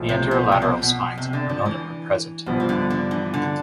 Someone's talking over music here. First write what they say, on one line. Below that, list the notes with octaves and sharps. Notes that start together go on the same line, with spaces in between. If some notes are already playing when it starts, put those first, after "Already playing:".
The anterolateral spines on the pronotum are present.
Already playing: B1 A2 F3
C3
B2
C3
B2
B2
C3
D3
F3
E3
G2 B2 F3 B3
E3
D3
D3
E3
D3